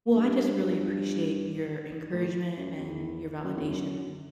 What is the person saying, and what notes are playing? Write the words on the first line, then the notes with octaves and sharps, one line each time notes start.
Well, I just really appreciate your encouragement and your validation.
G2
A2
F#2
E2
F#2
E2
F#2